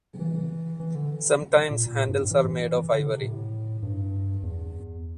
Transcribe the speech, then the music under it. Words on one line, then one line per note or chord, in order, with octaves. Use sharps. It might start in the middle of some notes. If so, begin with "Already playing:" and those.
Sometimes handles are made of ivory.
E3
E3
D3
A#2
A#2
A2
G2
A2
E3
D3
C3
A2
G2
E2